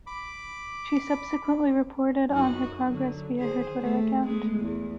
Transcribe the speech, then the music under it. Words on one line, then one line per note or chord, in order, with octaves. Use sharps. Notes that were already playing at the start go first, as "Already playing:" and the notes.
She subsequently reported on her progress via her Twitter account.
B5 D6
F#2 D#4 F#4
D3 F#3
D#3 G#4 C5
A3
G#3 A3 B3
E2